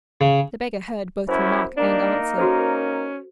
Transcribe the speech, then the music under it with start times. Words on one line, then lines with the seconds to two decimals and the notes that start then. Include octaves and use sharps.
The beggar heard both remark and answer.
0.21 C#3
1.29 F#2 C#4 E4 C5
1.77 A#3 D4 D#4 A#4
2.38 C#4 F#4 A4 C5